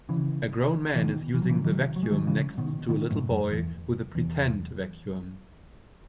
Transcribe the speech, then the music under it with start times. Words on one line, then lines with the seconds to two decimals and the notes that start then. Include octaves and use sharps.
A grown man is using the vacuum next to a little boy with a pretend vacuum.
0.09 C#3 E3
0.95 E3
1.02 B2 D#3
1.34 E3
1.42 F#3
1.49 C#3 E3
1.65 D#3 F#3
1.96 F#3
2.03 G#3
2.11 D#3 F#3
2.27 C#3 E3
2.58 B2 D#3
2.89 B2 D#3
3.10 F#2 A2
3.31 F#2
3.52 E2
4.15 E2